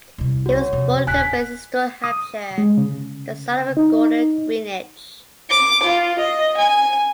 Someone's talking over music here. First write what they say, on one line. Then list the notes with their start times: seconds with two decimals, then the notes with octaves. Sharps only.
He was born in Basingstoke, Hampshire, the son of Gordon Greenidge.
0.18 C2 C3
0.46 F#4 C#5
0.73 F2 C3
1.07 D1 G#5 F#6 B6
2.04 D#6
2.58 G#3
2.78 C#3
3.77 D#4
5.50 D6
5.84 F4
6.20 D#5
6.58 G#5